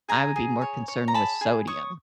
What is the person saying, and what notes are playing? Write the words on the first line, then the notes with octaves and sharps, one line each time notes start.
I would be more concerned with sodium.
G#4 G#5 A#5
G#4
C#5
C#5
A#5
G#4 A5 B5
G#4
C#5 C#6 D#6